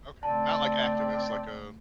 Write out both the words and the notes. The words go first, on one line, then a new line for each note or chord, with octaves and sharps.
Okay, not like activists like a
C#3 A3 C4 D5 A5